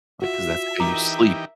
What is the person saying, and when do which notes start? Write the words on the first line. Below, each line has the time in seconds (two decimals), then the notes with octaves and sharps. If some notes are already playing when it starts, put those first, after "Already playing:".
Like, 'cause that's how you sleep.
0.22 F4 F#4 E5
0.80 E3 D#4 G4 A#4 A#5 D6